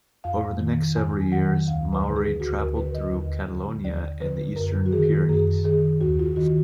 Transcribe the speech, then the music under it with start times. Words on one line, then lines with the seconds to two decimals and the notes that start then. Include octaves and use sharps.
Over the next several years Maury traveled through Catalonia and the eastern Pyrenees.
0.24 F2 F5
0.60 D#3
0.96 F2 G#5
1.32 D#3 F#5
1.68 D2 F5
1.93 B4
2.04 D3
2.16 G#4
2.40 D2 F#4
2.59 A#4
2.76 D3 B4
2.94 D#5
3.12 D#2
3.49 D3
3.84 D#2 D5
4.21 D3 B4
4.56 F#2 A#4
4.86 F#4
4.92 D#3 G#4
5.29 F#2 G#4
5.64 D#3 G#4
6.01 D#2 F#4
6.19 F4
6.36 D#3 F#4